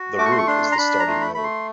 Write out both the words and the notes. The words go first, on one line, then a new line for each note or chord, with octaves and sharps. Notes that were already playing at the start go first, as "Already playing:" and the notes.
The root is the starting node.
Already playing: F#4
A3 D6
C#6
C6
C#6
D4 C6
A#5
D4 B5
A#5
A3 C6
B5
A3 B5
C6